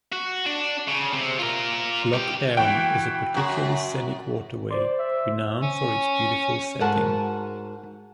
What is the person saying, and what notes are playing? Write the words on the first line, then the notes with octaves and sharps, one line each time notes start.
Lough Erne is a particularly scenic waterway, renowned for its beautiful setting.
F#4
D4
C#3
C3
F4 A#4
C2 G4
E3 F#4 G5
F#2 F#4
C5 D5 C6
E5
C#4
G#2 F#4 A#4 F#5 A5